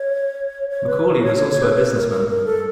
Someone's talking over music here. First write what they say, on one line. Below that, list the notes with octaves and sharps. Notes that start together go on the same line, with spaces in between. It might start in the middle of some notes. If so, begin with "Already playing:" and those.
MacAulay was also a businessman.
Already playing: C#5
C#5
B4
A#4
C#5
C#5
C#5
B4
A#4
A#4
A#4
A#4
A4